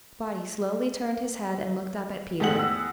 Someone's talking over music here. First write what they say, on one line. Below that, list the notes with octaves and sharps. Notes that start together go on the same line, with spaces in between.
Spotty slowly turned his head and looked up at Peter.
E2 G#2 A3 G4 F#5 F#7
E6